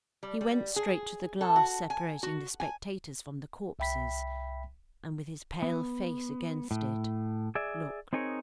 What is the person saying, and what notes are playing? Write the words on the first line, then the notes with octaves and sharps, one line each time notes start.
He went straight to the glass separating the spectators from the corpses, and with his pale face against it, looked.
G3
G3
G#4
A4
F#4
G#5
F#4
G#5
C2 E5 G5 B5 B6
B3
A2
G#4 D5 E5
C4 D#4 G#4 A#4 C#5